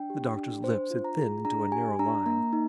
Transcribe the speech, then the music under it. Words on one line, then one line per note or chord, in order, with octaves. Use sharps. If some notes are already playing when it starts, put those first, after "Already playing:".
The doctor's lips had thinned into a narrow line.
Already playing: D4 G5
G4
D4
D4 C5
F4
A#5
G#4
D4 A#5
G4 G#5
D4 A#5
A#3 A#5
D#4